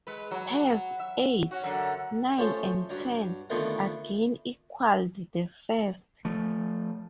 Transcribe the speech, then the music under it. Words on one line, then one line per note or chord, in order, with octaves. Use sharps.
Pairs eight, nine and ten again equalled the first.
G#3 B4
F#3
E5
C#4 F#4
F#2 D3
F3 A3 C#4 G4 C5
G2 F#3
D3 D#3 F3 A3 B3 C4
F3 A3